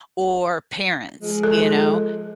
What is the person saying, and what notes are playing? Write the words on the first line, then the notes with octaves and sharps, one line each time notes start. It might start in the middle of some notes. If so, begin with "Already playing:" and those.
or parents, you know,
F3 G#3
A4